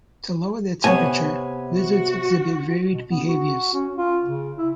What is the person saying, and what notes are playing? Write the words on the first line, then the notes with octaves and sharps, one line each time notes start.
To lower their temperature, lizards exhibit varied behaviors.
C3 B3 C#5 G#5
F#4
B2
B3
F#4
C#4
F4
C#3
E4